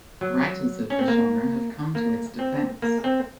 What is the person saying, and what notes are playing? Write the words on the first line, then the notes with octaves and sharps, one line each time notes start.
Writers of the genre have come to its defense.
F#3
C#4
C4
A#3
A#3
C4
A#3
C4